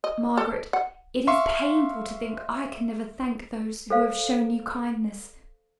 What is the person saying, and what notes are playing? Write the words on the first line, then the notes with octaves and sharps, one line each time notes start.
'Margaret, it is painful to think I can never thank those who have shown you kindness.
D#5
A4
F#5
E5 F5 C6 C#6
A4 C5 F5